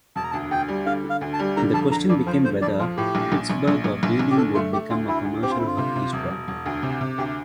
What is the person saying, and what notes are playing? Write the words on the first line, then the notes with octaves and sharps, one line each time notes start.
The question became whether Pittsburgh or Wheeling would become a commercial hub eastward.
E1 A5
A#5
D2 A5
D2 G5
G3
D3 F5
D3
F5
D2
A5
G3
D3 A#5
F2 A5
D3 A#5
F2 D5
F3 C5
D3 C5
F2 D5
F3 F4
A2 G4
A#1
A#1
A#1
A#1
A#1
A#1
A#1
G4
D3 A4
A3 F4
A3 G4
D2 F4
D2 E4
D2
C4 G4
F4
D3 E4
F4
C3
C3
E1
E1
E1
D2
C3
C3
D2 G4